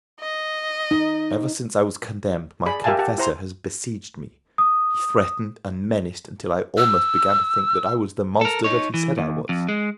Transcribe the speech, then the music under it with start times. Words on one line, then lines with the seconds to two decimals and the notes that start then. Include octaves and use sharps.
Ever since I was condemned, my confessor has besieged me; he threatened and menaced, until I almost began to think that I was the monster that he said I was.
0.20 D#5
0.91 D#4
2.66 G#4 D5 B5
2.84 G4 A#4 E5 F5 G#5 A5
2.99 G4 F#5 A5
3.18 E4 C5 A#5 C6
4.58 D#6
6.77 E6
8.41 A4 A#4
8.64 D#4 C#5
8.94 E3
9.18 D#2
9.49 F2
9.69 G#3